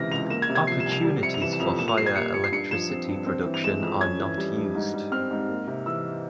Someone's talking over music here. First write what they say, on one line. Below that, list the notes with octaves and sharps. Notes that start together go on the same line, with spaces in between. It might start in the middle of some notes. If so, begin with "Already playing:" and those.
Opportunities for higher electricity production are not used.
Already playing: C#2 C3 E3 F6 A#6
C#2 F7
A#3 E7
G#6
C3
G#6
F3 C7
E7
C2
F7
G3
C3 C#7
F7
E3 E7
E7
F2 F7
A#2 E7
F7
G3 C7
G#6
A#3 C#7
A#2 C#7
C7
G2 C#7
F3 E7
C4
G2
C4
E3
F7
G#3 E7
F2
C#4 G#6
E3
G3
G2
G#2
G3
C4 F6
G#2
A#3
C3
E3 E6